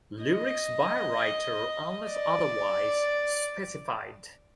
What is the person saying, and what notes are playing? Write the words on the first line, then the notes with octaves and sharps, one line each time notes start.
Lyrics by writer unless otherwise specified.
D#5
D5